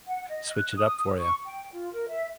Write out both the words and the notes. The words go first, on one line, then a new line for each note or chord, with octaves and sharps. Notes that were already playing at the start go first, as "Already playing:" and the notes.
switch it up for ya.
F#5
D#5
F#6
D#6
C#6
G5
F4
A#4
E5